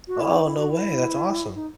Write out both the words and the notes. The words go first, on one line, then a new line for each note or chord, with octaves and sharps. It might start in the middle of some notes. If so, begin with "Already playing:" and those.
Oh, no way. That's awesome.
F#4
E4
D#4
E4
F#4
E4
D#4